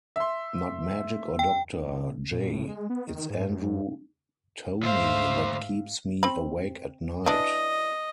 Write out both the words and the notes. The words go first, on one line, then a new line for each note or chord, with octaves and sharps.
Not Magic or Doctor J, it's Andrew Toney that keeps me awake at night!
E5 C6
G5
A#2
A2
G#3
B3
D#3
G#2
F#2
D2 G#2 C5 E5 F5
C4 B5
E3 D4 D#5